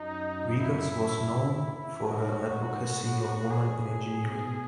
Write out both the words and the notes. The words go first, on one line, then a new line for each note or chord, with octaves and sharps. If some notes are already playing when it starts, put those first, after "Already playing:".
Rigas was known for her advocacy of women in engineering.
Already playing: F#2 D#4
E4
G#2 F#4
A2
G#4
B2